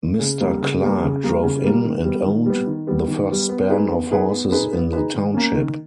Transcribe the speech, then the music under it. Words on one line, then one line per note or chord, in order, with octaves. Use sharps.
Mr. Clark drove in, and owned, the first span of horses in the township.
C#3
G3 A#3
C#3
G3 A#3
C#3
G3 A#3
C#3
G3 A#3
D#3
G3 B3
D#3
G3 B3
D#3
G3 B3
D#3
G3 B3
B3
D#4 G#4 B4
B3
D#4 G#4 B4
B3
D#4 G#4 B4
B3
D#4 G#4 B4
D#3
A#3 C#4
D#3